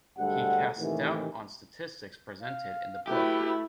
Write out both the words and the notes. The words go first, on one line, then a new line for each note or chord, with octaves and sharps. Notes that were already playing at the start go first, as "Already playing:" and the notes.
He cast doubt on statistics presented in the book.
D2 G2 G3 G#3 A4 F#5
D#2 A2 C3 D#3 E3
F5
A3 E4 F#4 G4 B4